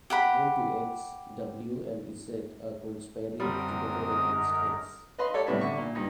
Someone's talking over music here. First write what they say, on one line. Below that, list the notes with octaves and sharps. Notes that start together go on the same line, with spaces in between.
Unknown to X, W and Z are conspiring together against X.
G4 F#5 B5
F#2 D3 G3 C4 A#4 D#6
D#5
B4 D#5 F5 B5 C6
G4 A4 C#5 D5
A2 C3 G3 B3 E5 B5
D3 E5 C#6
A#2
G2 D#4